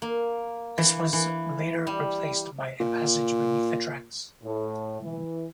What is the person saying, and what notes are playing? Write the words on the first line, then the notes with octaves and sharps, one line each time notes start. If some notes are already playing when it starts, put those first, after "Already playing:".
This was later replaced by a passage beneath the tracks.
A#3
E3
E3
G3
A#2
A2
E3